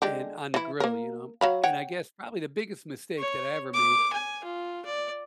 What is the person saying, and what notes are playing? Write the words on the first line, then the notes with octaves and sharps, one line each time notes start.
in on the grill, you know, and I guess probably the biggest mistake that I ever make
D3 G#3 G4
E3 E4
A#3 A#4
F#3 F5 B5
C#5 F#5 G5
C#5
D6
G#5
F4
D5